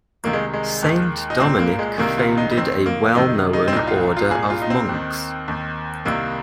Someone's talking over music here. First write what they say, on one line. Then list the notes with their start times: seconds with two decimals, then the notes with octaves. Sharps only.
Saint Dominic founded a well-known order of monks.
0.24 C2 C3 D#3 A#3
0.33 G#3
0.53 G#3
0.83 D#2 D#3
1.30 D#4
1.40 C2 A#2 C4
1.59 A#3
1.79 G#3
1.98 C2 C3 D#3 A#3
2.18 F4
2.38 D#4
2.51 D#4
2.57 F2 D#3 C4
2.86 A#3
3.15 F2 C3 D#3 D#4
3.53 D#4
3.68 C4
3.73 C2 A#2 D#4
3.87 F4
4.17 F4
4.31 C2 A#2 G#4
4.50 F4
4.62 D#4
4.70 C4
4.89 D#2
4.94 D#3
5.48 D#2 D#3
6.05 C2 C3 D#3 A#3